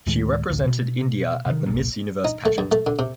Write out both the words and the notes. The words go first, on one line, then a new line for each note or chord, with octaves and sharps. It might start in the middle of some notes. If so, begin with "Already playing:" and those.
She represented India at the Miss Universe pageant.
D2 A2 D#3 G#3
A1 D2
B2
C3 D#3
F#1 B1 A#2
D#4
A3
G2
A3
D3
C3